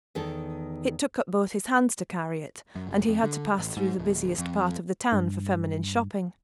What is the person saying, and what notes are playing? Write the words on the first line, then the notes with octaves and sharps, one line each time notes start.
It took up both his hands to carry it; and he had to pass through the busiest part of the town for feminine shopping.
E2 D#3 A4
F#2
F#1
F2
D3
A1
G#2
D1
F2
G2